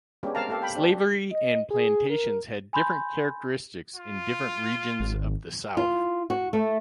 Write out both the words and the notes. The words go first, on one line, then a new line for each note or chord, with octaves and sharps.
Slavery and plantations had different characteristics in different regions of the South.
G#3 B3 C#4 D4 G4
G#3 C4 A#4 F5 A5 A#5
A#3 G4 A4 F5
G5 B5
C4 D4 G4
D#5
G#4
A#4
G#5 B5 C6 G6
F4
G#1
F4
F#4
A3